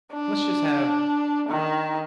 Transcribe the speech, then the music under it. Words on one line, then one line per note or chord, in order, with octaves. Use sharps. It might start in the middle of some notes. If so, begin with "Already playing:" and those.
let's just have,
D4
D#3